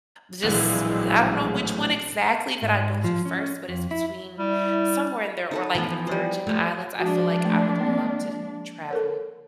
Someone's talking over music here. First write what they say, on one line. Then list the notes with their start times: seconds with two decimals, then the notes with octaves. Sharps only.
just I don't know which one exactly that I'd go to first, but it's between somewhere in there or, like, the Virgin Islands. I feel like I would love to travel
0.44 A#1 A2 E3 F#3 G#3
2.62 G#2
3.04 F3
3.25 C#4
3.69 F2
3.91 E4
4.39 G3 E4
5.51 D#4 A4 B4
5.75 E3 F3 B3
6.07 G3 C5
6.47 F3 A3
6.99 F3 G#3 D4 F#4
7.45 A3
7.80 A#3 C4
8.91 A4 A#4 C#5